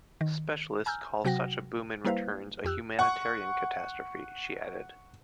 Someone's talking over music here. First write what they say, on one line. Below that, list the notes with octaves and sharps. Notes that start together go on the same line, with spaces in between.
"Specialists call such a boom in returns a humanitarian catastrophe," she added.
D#3
G#5 A#5 E6 F6 G6
C3 F#3 F#4 F#5 G5 A#6
G3 A#3 E4 B4 C5 F5
F2 G4 E6 F#6
F#5 C#6